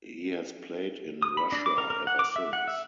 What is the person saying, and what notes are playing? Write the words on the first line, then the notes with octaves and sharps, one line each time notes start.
He has played in Russia ever since.
D#6
B5
D4
D6
A#4
A#4
F#5
D6
E5
F#5
E5